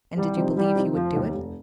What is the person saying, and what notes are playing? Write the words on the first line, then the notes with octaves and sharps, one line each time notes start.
"And did you believe he would do it?"
C2 G3
C3 F3 C4 D#4
C2 G3
C3 F3 C4 D#4
F1 F3
D#2 D#3 G3 D#4
F1